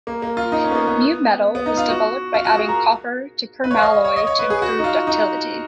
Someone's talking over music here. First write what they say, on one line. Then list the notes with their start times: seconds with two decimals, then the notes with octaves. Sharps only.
Mu-metal was developed by adding copper to permalloy to improve ductility.
0.07 A#3
0.22 A#3
0.37 F4
0.52 D#4
0.64 C#4
0.71 B3
0.75 A#3
0.87 B3
1.55 B3
1.66 D#4
1.77 F4
1.89 F#4
2.34 F4
2.45 F#4
2.57 G#4
2.69 A#4
3.64 B4
3.71 C#5
3.77 F5
3.82 D#5
3.94 D#5
4.05 C#5
4.16 D#5
4.27 C#5
4.39 B4
4.50 G#4
4.62 F#4
4.79 D#4
4.84 F4
5.07 D#4